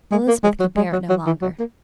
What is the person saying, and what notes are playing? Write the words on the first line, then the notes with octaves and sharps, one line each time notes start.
Elizabeth could bear it no longer.
G#3
A#3
G#3
F#3
G#3
F#3
F#3
E3
F#3
A#3